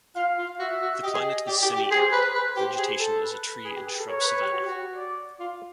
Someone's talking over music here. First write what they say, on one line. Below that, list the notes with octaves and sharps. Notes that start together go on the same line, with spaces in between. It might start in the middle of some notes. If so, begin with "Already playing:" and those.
The climate is semi-arid, vegetation is a tree and shrub savanna.
F4 F5
F4
F#4 E5
F#4
G4 D#5
G#4
G4 D5
G4
G4
G#4 C5
B4
B4 C5
G4
G#4
A4
B4
G#4
G4
G#4
A4
A#4 C#5
B4
B4
G4
F#4
G4
F#4
D5
F4